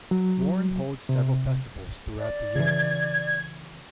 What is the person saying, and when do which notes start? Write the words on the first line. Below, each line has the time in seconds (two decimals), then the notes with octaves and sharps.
Warren holds several festivals throughout the year.
0.11 F#3
1.09 C3
2.19 D5
2.55 C#3 E3 G#6